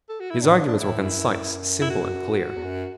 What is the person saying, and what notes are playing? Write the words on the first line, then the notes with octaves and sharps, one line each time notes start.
His arguments were concise, simple, and clear.
A4
F#4
E4
A2 D4
D4
A2 E4
F#2
F#2
E4
F#4
E2
F#2